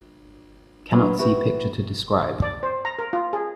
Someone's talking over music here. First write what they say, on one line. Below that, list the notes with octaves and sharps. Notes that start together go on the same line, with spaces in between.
Cannot see picture to describe.
D#3 F#3 B3 D4 B4
E4 F#4 G4 B4
D5
C5
A#5
A#4
F4
G#4